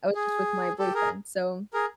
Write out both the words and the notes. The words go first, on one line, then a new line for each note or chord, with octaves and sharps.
I was just with my boyfriend, so,
G#4
G4 A4
G#4 A#4
G#4 A#4